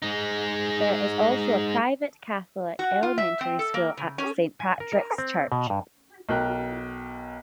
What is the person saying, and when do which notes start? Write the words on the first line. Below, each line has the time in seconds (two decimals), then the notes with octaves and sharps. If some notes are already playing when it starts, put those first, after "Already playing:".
There is also a private Catholic elementary school at Saint Patricks Church.
0.02 G#3 D#4
2.79 F#4
3.03 F4
3.18 E5
3.41 C4
3.59 A4
3.74 A#3
3.97 C#3
4.18 C#4
4.60 G#5
4.80 A#4
4.92 A#4
5.18 C4
5.52 B2
5.70 G2
6.29 B1 A#4 G5 F#6